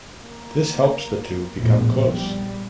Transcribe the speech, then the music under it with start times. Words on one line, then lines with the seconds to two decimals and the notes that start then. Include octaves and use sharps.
This helps the two become close.
0.23 A#3
1.56 A#1 E2 A2
2.14 G3